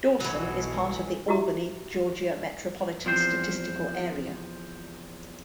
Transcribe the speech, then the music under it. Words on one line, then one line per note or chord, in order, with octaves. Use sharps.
Dawson is part of the Albany, Georgia Metropolitan Statistical Area.
B1 B2 E3 F#3
E4 F#4 G4 E5 A#5 D6
E2 F3 C4 C5